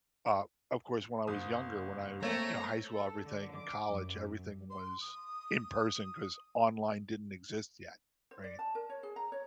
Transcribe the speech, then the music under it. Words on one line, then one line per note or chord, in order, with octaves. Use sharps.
uh, of course, when I was younger, when I was, you know, high school, everything college, everything was in person 'cause online didn't exist yet, right?
F#1 D#6
A3 A#3 C4 C#5 A#5
A4
D3
D6
F#2
C6
D#6
C5
D5
A5
A#4
C#5
G#4
A#5
C#5